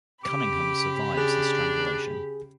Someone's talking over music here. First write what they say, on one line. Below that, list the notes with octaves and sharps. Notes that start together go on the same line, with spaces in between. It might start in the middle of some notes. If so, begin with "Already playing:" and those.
Cunningham survives his strangulation.
C#3 G4 B5 D6
D4 G#4